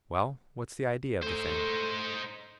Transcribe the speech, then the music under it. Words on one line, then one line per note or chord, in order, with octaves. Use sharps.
"Well, what's the idea of the thing?"
A3 D#4 C5